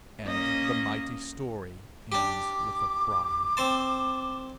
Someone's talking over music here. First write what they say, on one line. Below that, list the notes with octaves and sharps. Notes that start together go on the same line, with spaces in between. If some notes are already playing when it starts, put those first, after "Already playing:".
And the mighty story ends with a cry.
A#3 C#4 D#5
D4 G4 D6
C4 C5 A5